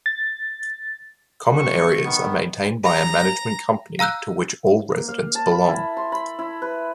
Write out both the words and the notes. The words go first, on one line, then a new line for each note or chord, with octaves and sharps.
Common areas are maintained by a management company to which all residents belong.
A6
A2 C#6
D#3 B3
A#5
F5 A#5 E6 F#6 G6
A#3
F5
A5
B5
E4
C6
B5
E4
B4